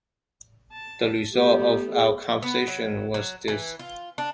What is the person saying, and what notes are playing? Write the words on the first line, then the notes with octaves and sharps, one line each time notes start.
The result of our conversation was this.
A5
A3 B3 G4
G#4
B3
F#3
F#3
E3
F4
D4